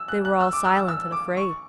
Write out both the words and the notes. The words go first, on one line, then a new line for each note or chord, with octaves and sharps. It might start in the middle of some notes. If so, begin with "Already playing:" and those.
They were all silent and afraid.
Already playing: E6
F#6
F#6
E6
D6
E6
E6
E6
D6
C#6